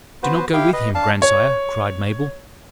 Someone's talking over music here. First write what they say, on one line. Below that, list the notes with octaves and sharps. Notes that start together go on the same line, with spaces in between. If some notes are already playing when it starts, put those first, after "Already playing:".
"Do not go with him, grandsire," cried Mabel.
B3 F#4 B4 C5
E4 G4 F5 G5
B4 D#5
D4 F5 A5
C#5